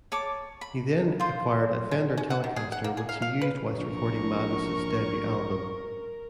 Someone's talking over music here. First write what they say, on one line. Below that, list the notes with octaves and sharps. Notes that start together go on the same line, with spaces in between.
He then acquired a Fender Telecaster which he used whilst recording Madness' debut album.
C#5 A5 D6
B5
F4 C5
G#3
C#4
F#5
D#3
G#4
F#5
A#3
G#4
F5
F5
B4
A#1 A#4 C#6